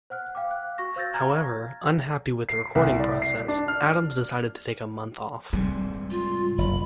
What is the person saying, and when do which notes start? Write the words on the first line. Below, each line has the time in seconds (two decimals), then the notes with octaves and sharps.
However, unhappy with the recording process, Adams decided to take a month off.
0.10 C5 F#5 F6 F#6
0.35 F5 G5 D6
0.51 F#6
0.78 F#4 C#6 A#6
0.96 C5 F5 E6 G6 A6 A#6
1.14 G#5 A#5 F6 G#6
2.49 C7
2.75 C2
3.00 D5
3.22 C7
3.48 D4
3.68 F6
5.53 G#2 C3 G3
6.11 F4
6.58 F#1 B5